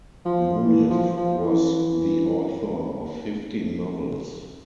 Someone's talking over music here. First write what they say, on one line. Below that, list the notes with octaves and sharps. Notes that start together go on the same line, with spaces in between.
Munif was the author of fifteen novels.
F3
E3
F3
F3
E3